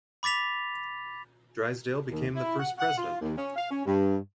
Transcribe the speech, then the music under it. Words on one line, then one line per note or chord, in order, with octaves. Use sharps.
Drysdale became the first President.
B5 D6 A6 B6 F7
D#2
E4
F#5
F#5
F4
D#2
C#4
F5
C#4
G2